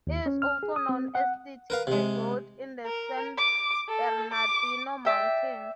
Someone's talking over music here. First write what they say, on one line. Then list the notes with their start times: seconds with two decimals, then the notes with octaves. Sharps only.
It is also known as City Creek Road in the San Bernardino Mountains.
0.07 D#2
0.26 C#4
0.42 F6
0.63 G#4
0.76 D#6
0.89 C4
1.15 F#5
1.70 A#4 B4 F5
1.87 C3 G#3
2.86 A#4
3.38 D6
3.89 A4
4.33 D6
5.05 D5 E5 G5